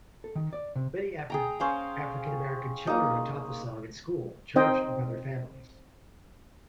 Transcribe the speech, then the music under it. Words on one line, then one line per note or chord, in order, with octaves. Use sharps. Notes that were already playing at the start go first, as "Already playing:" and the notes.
Many African-American children are taught the song at school, church or by their families.
A4
D#3
D5
C3
G#4 G5 A#5
C#4 C5 F5
A#3 D#4
C4 D#4 C5 D#5 G5